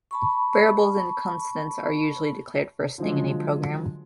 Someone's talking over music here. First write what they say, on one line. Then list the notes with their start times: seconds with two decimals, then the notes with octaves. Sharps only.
Variables and constants are usually declared first thing in a program.
0.11 A5 B5 C#6
2.98 D3 F3 F#3 G#3